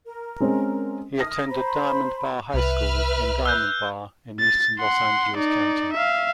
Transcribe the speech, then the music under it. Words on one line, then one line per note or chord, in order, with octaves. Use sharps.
He attended Diamond Bar High School in Diamond Bar, in eastern Los Angeles County.
A#4
G#3 C4 C#4
D#6 F6 A#6
C5 A#5 B5
C2 B4 E5 F6
E6 F#6 G6
A6
F#5 C6
D#4 D5
E5 F5